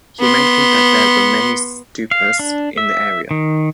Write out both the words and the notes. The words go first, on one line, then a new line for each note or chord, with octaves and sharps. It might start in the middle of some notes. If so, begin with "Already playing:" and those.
He mentioned that there were many stupas in the area.
B3 C6
F5
D4
E5
D#3